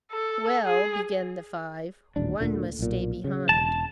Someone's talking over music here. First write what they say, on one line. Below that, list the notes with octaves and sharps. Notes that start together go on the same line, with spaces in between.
"Well," began the five, "one must stay behind."
A4
G#4
D#1 A1 D4
D2 A#2 D3
B1 A#2
C#3 F#3
E1 A5